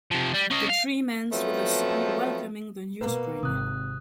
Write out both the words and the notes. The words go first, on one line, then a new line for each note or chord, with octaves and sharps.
The dream ends with a song welcoming the new spring.
C3 F3
G3
C#4 D#5
F5
F3 F#3 A3 B3 C4
B2 A#3 B4
G#1 C3 D#6 F#6